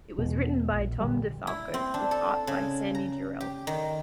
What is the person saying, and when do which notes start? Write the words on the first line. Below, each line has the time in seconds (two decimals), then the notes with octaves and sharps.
It was written by Tom DeFalco with art by Sandy Jarrell.
0.18 E2 B2
0.72 A#1
1.00 A#2 D3 G3
1.47 E4
1.74 C4
1.94 D4
2.11 A4
2.47 C#3
2.95 A#5
3.40 G4
3.67 D#3